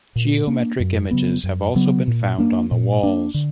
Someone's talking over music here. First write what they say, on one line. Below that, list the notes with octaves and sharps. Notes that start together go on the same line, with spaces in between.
Geometric images have also been found on the walls.
A#2
A#3 D4
F#2
C#3 F#3 B3
F#2
C#3 F#3 B3
A#2
A#3 D4
A#2
A#3 D4
D3